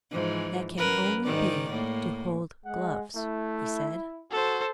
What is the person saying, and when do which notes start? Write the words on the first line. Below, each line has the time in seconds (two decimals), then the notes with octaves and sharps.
"That can only be to hold gloves," he said.
0.12 G#2 E3 F3
0.78 F#2 A#4 B4
1.23 G#2 D#3 D5
1.70 A2 A#3
2.65 G#3 F#5
3.15 A3 E4
4.31 F#4 A4 C5